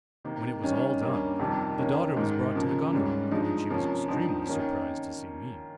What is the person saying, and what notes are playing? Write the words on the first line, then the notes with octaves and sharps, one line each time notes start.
When it was all done, the daughter was brought to the gondola, and she was extremely surprised to see me.
C3 D#3 A#3
D#3 G3 C#4
G2 G3 A#3 C#4
F2 C3 D#3 G3
D#3 A#3 C#4
G#2 D#3 G#3
C#3 F3 A#3
G#2 G3 C#4
G2 F3 G#3 D#4
C3 F3 A#3 C#4
G2 F3 C4 D#4
D#3 A#3 C#4